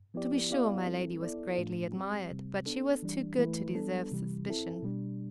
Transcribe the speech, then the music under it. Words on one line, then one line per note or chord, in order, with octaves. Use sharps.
To be sure my lady was greatly admired, but she was too good to deserve suspicion.
F3 B3 E4 G4 D5
B3 E4 G4 D5 F5
G3 C4 E4 A4
B3 E4 A4 D5
A2 F3 A3 D4 F4
G3 C4 G4
C3 G3 C4
B3 D4 A4
E3 G3 D4
E3 A3 E4 B4
G3 B3 D4 A4
C3 E3 G3
C4 E4 A4
B2 G3 D4